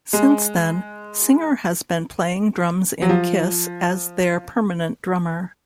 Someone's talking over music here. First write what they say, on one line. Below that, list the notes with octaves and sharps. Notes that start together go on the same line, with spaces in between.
Since then, Singer has been playing drums in Kiss as their permanent drummer.
G#3
F#3
F3